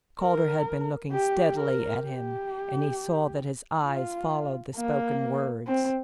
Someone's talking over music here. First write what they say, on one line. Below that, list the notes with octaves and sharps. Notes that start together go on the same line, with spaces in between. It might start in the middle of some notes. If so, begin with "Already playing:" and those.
Calder had been looking steadily at him, and he saw that his eyes followed the spoken words.
A#4
G4
A#4
G4
F4
A#3
C4